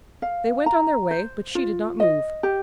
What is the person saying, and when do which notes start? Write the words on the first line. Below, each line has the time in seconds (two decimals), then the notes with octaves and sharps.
They went on their way, but she did not move.
0.22 F5
0.66 A#5
1.11 C5
1.55 F4
2.00 D#5
2.43 G4